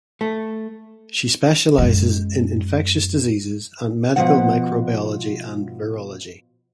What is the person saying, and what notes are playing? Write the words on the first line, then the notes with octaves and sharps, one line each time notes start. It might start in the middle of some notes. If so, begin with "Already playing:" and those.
She specialises in infectious diseases and medical microbiology and virology.
A3
F#2 G#3
B2 F3 F#5